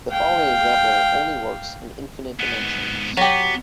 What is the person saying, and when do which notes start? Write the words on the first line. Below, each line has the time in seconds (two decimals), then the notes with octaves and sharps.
The following example only works in infinite dimensions.
0.11 F5 G5
2.40 G#2 B3
3.17 F#3 B3 G4